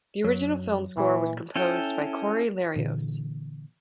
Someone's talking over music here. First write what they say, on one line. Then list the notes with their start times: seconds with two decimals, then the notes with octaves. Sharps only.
The original film score was composed by Cory Lerios.
0.24 F#2 F#3
0.97 A#2 E3
1.56 C#4 E4 A4 G5
2.76 A#2 D3 E3